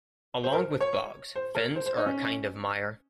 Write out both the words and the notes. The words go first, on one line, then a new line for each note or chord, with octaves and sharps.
Along with bogs, fens are a kind of mire.
C5
A#4
C#5
C5
A#4
C5
C5
D#4
C#4